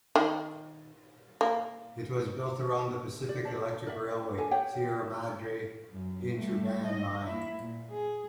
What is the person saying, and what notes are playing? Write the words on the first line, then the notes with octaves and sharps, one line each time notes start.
It was built around the Pacific Electric Railway-Sierra Madre interurban line.
D#3
A#3
D5
C5 D5 A5
A#4 D5 E5
D4 A4 G#5
G4 C#5 F#5 G5
F#2
G3 A3
D#5
A#3 E4
A#2
G#4